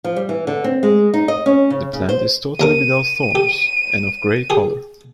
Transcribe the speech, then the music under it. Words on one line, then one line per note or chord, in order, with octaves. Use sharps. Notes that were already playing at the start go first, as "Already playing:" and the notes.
The plant is totally without thorns and of gray color.
F3
G3
E3
D3
C4
G#3
D#4
D#5
C#4
C#3
C#3
C5
D#2 A#4 D6 D#7
G4
G4 G#4